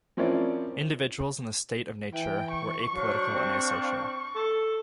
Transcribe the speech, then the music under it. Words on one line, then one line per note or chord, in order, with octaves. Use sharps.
Individuals in the state of nature were apolitical and asocial.
F3 C4 C#4 E4 A#4 D5
E3 G5
C#6
F#3 D4 C5 F5
C4
A4